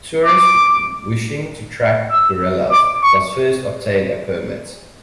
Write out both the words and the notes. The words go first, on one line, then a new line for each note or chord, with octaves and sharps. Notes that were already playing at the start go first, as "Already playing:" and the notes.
Tourists wishing to track gorillas must first obtain a permit.
D6
E6
D6
C#6